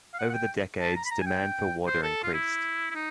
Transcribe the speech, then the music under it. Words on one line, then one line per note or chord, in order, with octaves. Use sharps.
Over the decades, demand for water increased.
F5
F#5
F#5
G5
A5
A#5
B5
A#5
G#5
G5
C5
A4
F4
E4
E4
D#4